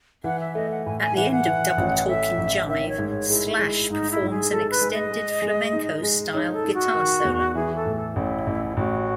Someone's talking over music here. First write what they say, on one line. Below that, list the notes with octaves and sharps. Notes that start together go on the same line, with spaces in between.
At the end of "Double Talkin' Jive" Slash performs an extended flamenco-style guitar solo.
E3 F#5
E5
A3 D#5
F#5
A2 G#5
G#5
E3 F#5
F#5
E3
A1
A3 E5
A1
D#3 E5
C#5
G#2
C#5
G#3 E4
G#3
G#2 D#4
E4
G#2
G#4
G#3 A4
B4
G#3
D#5
G#3
G#3
D#4
G#3
D#4 C#5
A4
D#4
F#4
D#3
E2
E3 G#4
A4
A2
A4
A1 E4
A1
A1 F#4